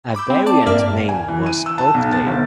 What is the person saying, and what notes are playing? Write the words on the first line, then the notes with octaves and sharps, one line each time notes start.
A variant name was Oakdale.
B5 D6 E6 G6
C4
D5 A5 D6
G2 A#3 A#4 D5 E5 F6
G#5
E3
D#7
E6
A5
B1
A6
G1